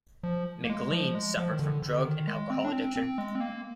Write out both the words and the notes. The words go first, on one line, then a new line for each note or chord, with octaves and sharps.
McLean suffered from drug and alcohol addiction.
F3
A#3
G#3
F3
G#3
F3
D#3
D3
D3
D#3
G#3
C4
D4
C4
C4
G#3
C4
A#3